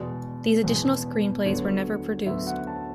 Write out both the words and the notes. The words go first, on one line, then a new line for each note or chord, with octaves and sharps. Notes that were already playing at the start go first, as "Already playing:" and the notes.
These additional screenplays were never produced.
Already playing: E2 B2 G#3 D5
E2 B2 G#3
D2 D3 F#3 B3 C#5
D2 D3 F#3 B3 E5
F#5
A5